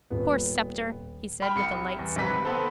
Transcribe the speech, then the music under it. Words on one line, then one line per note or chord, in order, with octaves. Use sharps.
Poor Sceptre! he said with a light sigh.
D#1 B3
G5 B5 F6
C2 C#7
E2
G#1 C3 B4 B6
B3 C4 A4 B4 C5